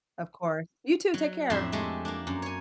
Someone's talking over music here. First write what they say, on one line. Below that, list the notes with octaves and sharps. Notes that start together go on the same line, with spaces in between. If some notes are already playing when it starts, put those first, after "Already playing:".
Of course. You too. Take care.
F#3
F2 A2 D4 E5 A#5 C6
G#3 A3 G4
A#3 D4
F#2
C#5 G#5